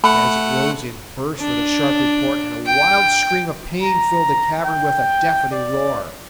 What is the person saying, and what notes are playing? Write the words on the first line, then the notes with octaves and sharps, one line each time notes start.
As it rose it burst with a sharp report, and a wild scream of pain filled the cavern with a deafening roar.
A3 F#5 B5
D4
G5
A#5
G5
D5